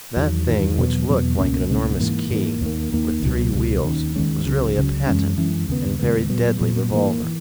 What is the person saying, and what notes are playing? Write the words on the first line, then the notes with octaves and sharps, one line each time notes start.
That thing which looked like an enormous key with three wheels was really a patent and very deadly revolver.
E2 D#3 F#3
E2 D#3 F#3
E2 B2 F#3 B3
E2 B2 F#3 B3
C#2 B2 A#3 C#4
C#2 B2 A#3 C#4
G#2 E3 A#3
G#2 E3 A#3
D#2 D#3 A#3
D#2 D#3 A#3
C#2 B2 F#3
C#2 B2 F#3
D#2 D#3 G#3 C#4
D#2 D#3 G#3 C#4
C#2 C#3 F#3
C#2 C#3 F#3
F#2 E3 G#3 C#4
F#2 E3 G#3 C#4
D#2 C#3 G#3 B3
D#2 C#3 G#3 B3
A#2 F#3 B3
A#2 F#3 B3
G#2 E3 A#3
E3